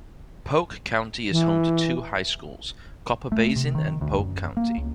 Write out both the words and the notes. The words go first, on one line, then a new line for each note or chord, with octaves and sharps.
Polk County is home to two high schools, Copper Basin and Polk County.
E3
A3
C3
D#3
D2
F#2
A#3
C#2